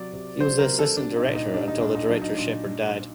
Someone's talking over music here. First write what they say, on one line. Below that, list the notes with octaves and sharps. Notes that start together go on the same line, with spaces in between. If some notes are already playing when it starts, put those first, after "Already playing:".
He was the assistant director until the director Shepard died.
Already playing: C3 F#3 D5
C3
F#3 C5
A#4
C3
A4
G3 D4
D#4
A#2
D#4
G3 D4
D#4
A#2 D4
D#4
F#3 D4
D#4
A#2 D4